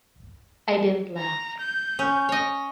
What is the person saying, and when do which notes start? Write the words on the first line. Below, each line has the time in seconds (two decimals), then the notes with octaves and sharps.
I didn’t laugh.
1.18 A#5
1.60 G6
1.99 C#4
2.29 C#5 D#5